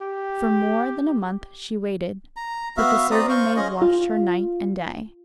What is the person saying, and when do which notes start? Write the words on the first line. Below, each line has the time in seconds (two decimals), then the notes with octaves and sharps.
For more than a month she waited; but the serving-maid watched her night and day.
0.01 G4
2.36 A#5
2.77 B3 F#4 E5 F5
3.11 C4 D5 A#5 D#6
3.29 C5 F5 C#6
3.56 C#4 F4 G#4 D#5
3.82 F4